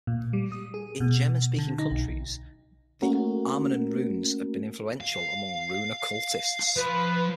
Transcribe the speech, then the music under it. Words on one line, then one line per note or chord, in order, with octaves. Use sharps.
In German-speaking countries, the Armanen Runes have been influential among rune-occultists.
A#2
G3
D#6
G#4
B2
D3
D#4
B1
A3 A#3 C#4 F#4 A#4
F5
F3 B4